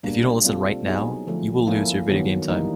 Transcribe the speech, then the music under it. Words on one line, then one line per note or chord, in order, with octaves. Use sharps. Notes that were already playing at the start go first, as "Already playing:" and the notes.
If you don't listen right now, you will lose your video game time.
B2 G3 A#3 D4
G3 C4 F4 A4
F#3 B3 D#4 G#4
D3 F3 A3
F3 A#3 C#4 E4 A4
D#3 F#3 B3
E3 G3 A#3 D#4